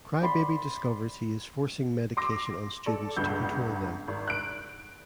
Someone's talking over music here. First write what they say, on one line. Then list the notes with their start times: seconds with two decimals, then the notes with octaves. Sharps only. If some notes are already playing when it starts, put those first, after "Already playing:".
Cry Baby discovers he is forcing medication on students to control them.
0.22 D5 B5 C6
2.17 C6 D6 A#6
2.86 A4 D5
3.16 G1 C#2 G2 G6
4.08 G#1
4.28 F#6 D7